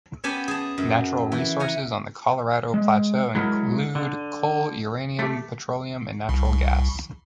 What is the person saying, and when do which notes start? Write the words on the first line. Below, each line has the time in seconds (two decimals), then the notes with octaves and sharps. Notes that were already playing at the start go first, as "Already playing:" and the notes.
Natural resources on the Colorado Plateau include coal, uranium, petroleum, and natural gas.
0.24 B3 C#4 G4 G#5 A5 B5
0.48 G#4 A5
0.78 F#2
1.32 E3
1.60 F#5 G#5 A#5
2.74 G#3
3.35 F#3 G#3 E4 A#4
3.95 D3
5.19 A3 G4
6.29 C2